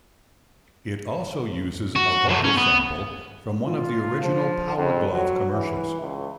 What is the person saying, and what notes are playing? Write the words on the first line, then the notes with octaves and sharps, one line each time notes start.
It also uses a vocal sample from one of the original Power Glove commercials.
F#4
F#2 A3
C#4
B3
F4
F3
F2
F#3
E3
C#2